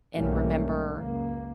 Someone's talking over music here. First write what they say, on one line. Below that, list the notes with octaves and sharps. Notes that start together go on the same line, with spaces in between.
and remember,
B1 G#2 G3 A3 A#3 C#4
C#2 F#2 A#3